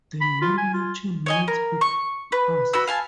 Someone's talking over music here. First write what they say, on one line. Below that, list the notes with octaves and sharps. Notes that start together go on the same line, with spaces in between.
The name "Lachen" means "big pass".
B5
F4
G#5
F4
C#5 D#5 G#5
A#4
C#6
B4
F#4 B4 E6
F5 G#5 A5